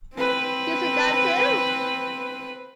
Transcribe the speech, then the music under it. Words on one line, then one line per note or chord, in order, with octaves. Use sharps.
You sit down too.
C4 B4